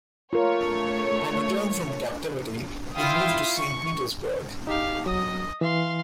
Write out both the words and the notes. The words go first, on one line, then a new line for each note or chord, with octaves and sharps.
On return from captivity, he moved to Saint Petersburg.
A3 F4 A#4 C#5
E4 F4 E5 F5 G5 D#6
C#6
D#4 G4 F5
F#3 D#5 D#6
E3 F5 C6